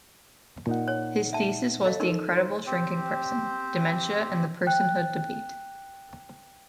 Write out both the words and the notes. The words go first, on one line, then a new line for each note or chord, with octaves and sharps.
His thesis was The Incredible Shrinking Person: dementia and the personhood debate.
A#2 D#4 F#5
C#5
E5 A5
A4 D#5 F5
D#4 A#4 C#6
C5
C4 G4 C5
G5 F#6